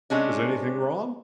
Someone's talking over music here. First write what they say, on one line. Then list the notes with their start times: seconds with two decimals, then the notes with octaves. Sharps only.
"Is anything wrong?"
0.10 C3 G#3 C#4 D4